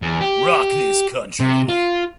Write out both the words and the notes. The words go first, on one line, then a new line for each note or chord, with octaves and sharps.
Rock This Country!
E2
G4
C3
F4